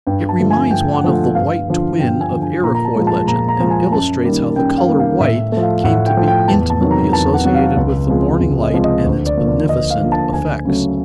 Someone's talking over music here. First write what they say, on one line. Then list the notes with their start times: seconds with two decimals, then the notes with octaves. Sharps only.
It reminds one of the white twin of Iroquois legend, and illustrates how the color white came to be intimately associated with the morning light and its beneficent effects.
0.07 G2 G5
0.29 A5
0.39 D3 F3 A3
0.50 G#5
0.71 G2 G5
0.93 F#5
1.04 D3 F3 A3
1.14 F#5
1.35 G2 F5
1.68 D3 F3
2.00 G2 G5
2.21 G#5
2.31 D3 F3
2.42 G#5
2.64 A#2 A#5
2.75 A#5
2.85 A5
2.96 F3 G#3
3.07 A5
3.27 A#2 A#5
3.49 A#5
3.60 F3 G#3
3.70 G#5
3.93 F#2 A5
4.24 D#3 G3 A#3
4.56 F#2 G5
4.78 F5
4.88 D#3 G3 A#3
4.99 F5
5.20 A2 E5
5.52 F3 A3
5.63 F5
5.84 A2 F#5
6.06 G5
6.17 F3 A3
6.28 G5
6.48 E2 A5
6.70 A5
6.81 C3 D#3 F#3
6.91 A#5
7.12 E2 A5
7.34 F#5
7.44 C3 D#3 F#3 F#5
7.55 F5
7.77 C#2
8.08 C3 F3 G#3
8.41 C#2
8.62 D#5
8.73 C3 F3 G#3
8.84 D#5
9.04 D2
9.27 D5
9.37 D3 F3 A#3
9.47 D5
9.69 D2 D#5
9.90 F5
10.01 D3 F3 A#3
10.12 A5
10.33 D2 G#5
10.65 C#3 F#3 A3